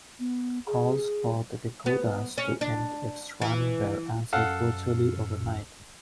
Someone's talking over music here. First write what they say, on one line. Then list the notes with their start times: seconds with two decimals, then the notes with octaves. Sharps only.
Calls for "The Dakotas" to end its run were answered virtually overnight.
0.19 B3
0.67 G#4
1.86 B3
2.38 C#4
2.61 D4
3.42 E3
4.33 F#2 A4 F5 F#5